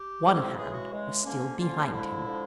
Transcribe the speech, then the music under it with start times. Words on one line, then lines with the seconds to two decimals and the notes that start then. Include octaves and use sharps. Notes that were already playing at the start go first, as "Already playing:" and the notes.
One hand was still behind him.
Already playing: G4
0.24 A2 F3 G#3 C4
0.57 C#3 E3 G#3 G#4
0.73 F#4
0.91 C#3 E3 G#3
1.24 D3 F3 A#3 C#4
1.58 D3 F3 A#3 C#4 F4
1.92 D3 F3 G#3 E4
2.25 D3 F3 G#3